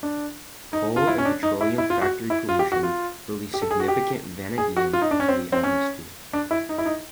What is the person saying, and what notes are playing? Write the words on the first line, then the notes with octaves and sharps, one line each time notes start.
Coal and petroleum factory pollution release significant vanadium to the atmosphere.
D4
D#4
F4
E4
C#4
D4
D#4
E4
E4
F4
F#4
E4
F4
G4
F#4
F4
G4
A4
G#4
F#4
G4
G#4
F#4
F4
D#4
D4
C#4
C4
C4
C#4
D4
E4
D#4
E4
D#4